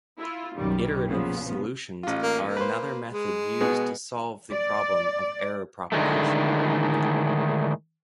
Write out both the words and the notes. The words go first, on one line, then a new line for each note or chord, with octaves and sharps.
Iterative solutions are another method used to solve the problem of error propagation.
E4 F4
B1 F#2 D#3 G3
A#2 C#3 F3 B3
A1 F4
A#3
A#3
B4 C5
G#3
B2 B3 G#4
D5
A2 D3 D#3 G#3 A3